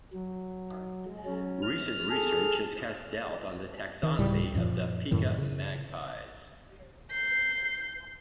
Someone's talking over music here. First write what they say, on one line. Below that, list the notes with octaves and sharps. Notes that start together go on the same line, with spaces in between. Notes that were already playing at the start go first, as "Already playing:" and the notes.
Recent research has cast doubt on the taxonomy of the "Pica" magpies.
F#3
F#3 C#4
F6
G#4 A4 F6
D#3
D1 A2 C#3 G3
F#2 A#2 F3
F#2 A2 D#3 F#3
C#3
G6 C7